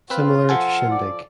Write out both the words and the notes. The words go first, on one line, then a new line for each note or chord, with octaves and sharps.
Similar to Shindig!
C4 F4 B4
F3 A4 F#5 G#5
D5